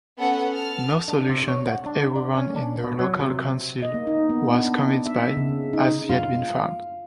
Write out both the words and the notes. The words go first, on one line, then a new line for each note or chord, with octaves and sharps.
No solution that everyone in the local council was convinced by has yet been found.
B3 C#4 A4 F#5
A5 F6
D4
C3
C#5
F#5
D4
D5
C#4
D4
B2
F#3
C3
D#5
A#3
D#4
B3
D4
E5
C#3
D#4
F4